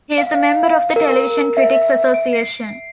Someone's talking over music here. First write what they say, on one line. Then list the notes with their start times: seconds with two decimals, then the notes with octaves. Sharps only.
He is a member of the Television Critics Association.
0.18 F5
0.96 A#4
1.57 E5
2.14 D7
2.33 C7